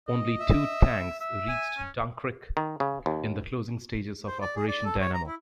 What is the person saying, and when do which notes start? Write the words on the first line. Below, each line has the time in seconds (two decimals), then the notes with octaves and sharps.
Only two tanks reached Dunkirk in the closing stages of Operation Dynamo.
0.08 D#5
0.40 E5
1.21 E5
1.48 G#5
1.78 C#4
2.57 D#3
2.80 C#3
3.06 D#2
4.27 C5
4.42 D5
4.56 G#4
4.68 D5
4.85 A4
5.01 C#5
5.14 A#5
5.27 E4